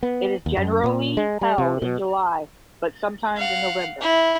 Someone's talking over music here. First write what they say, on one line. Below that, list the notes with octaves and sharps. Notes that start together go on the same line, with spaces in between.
It is generally held in July but sometimes in November.
B3
D#2
F#2
A#2
G#3
G3
C3
B2
F5 F#5
E4